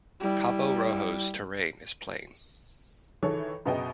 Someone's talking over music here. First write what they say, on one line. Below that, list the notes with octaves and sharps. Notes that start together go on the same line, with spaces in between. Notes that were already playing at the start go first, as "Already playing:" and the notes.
Cabo Rojo's terrain is plain.
G3 E4
D#3 E3 G#4 A4 C#5
F#2 B2 B3 G#4 D#5 G5